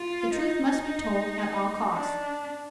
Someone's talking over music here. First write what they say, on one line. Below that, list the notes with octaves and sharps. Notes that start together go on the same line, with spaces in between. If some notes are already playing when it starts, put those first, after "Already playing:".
The truth must be told at all costs.
Already playing: F4
D#4
D4